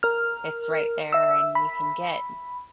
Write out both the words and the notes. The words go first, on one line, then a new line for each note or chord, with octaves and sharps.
it's right there, and you can get
A#4 F6
E5 E6
B5